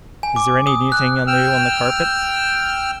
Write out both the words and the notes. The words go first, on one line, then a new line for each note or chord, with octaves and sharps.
"Is there any thing new on the carpet?"
G#5
D6
D#6
F#6
G5 E6 F6